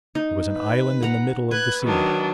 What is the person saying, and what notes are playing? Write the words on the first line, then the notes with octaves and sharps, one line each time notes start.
It was an island in the middle of the sea.
D#4
B4
F#5 A#5
B4 F#6 G#6
D#3 F#3 D4